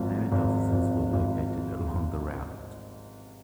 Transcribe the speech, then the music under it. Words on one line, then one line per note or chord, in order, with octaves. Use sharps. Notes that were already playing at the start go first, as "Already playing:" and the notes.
Payment offices were located along the route.
Already playing: G#1 G#2 F3
G#1
G#1
G#1